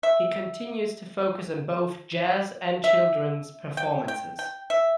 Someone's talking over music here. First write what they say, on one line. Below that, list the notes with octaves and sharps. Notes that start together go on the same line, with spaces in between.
He continues to focus on both jazz and children's performances.
E5
E5
G5
G5
G5
E5